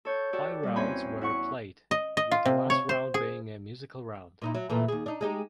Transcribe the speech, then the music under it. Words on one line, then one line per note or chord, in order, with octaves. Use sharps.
Five rounds were played, with the last round being a musical round.
A4 C#5 G6
F#4 G4 A4 D5
A#2 G3
E2 C4 C#4 G#5 B5 G6
E4 F#5 C#6
D#5
D#5
F4
C3
C#5
C5
G#4
A#2 D#4 E4
F#3
A#2 E3 A3
D#2 G#4
D4 D#4
G#3 D#4 G4